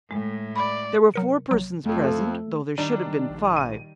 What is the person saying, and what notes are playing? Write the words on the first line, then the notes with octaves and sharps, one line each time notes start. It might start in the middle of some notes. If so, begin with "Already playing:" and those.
There were four persons present, though there should have been five.
A2 G#3
D5 B5
C3 F#3 A#4 C#7
A#1 F#3
F2 A3 A4
D#3 G3 D4
A#1
D#7